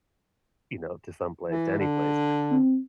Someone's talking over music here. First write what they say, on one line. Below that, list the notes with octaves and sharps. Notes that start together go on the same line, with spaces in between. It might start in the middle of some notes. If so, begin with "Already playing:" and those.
you know, to someplace, to anyplace.
E3
D3
C4